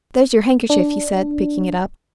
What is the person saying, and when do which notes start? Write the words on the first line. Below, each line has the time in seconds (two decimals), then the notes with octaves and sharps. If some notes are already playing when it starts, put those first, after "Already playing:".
"There's your handkerchief," he said, picking it up.
0.70 D4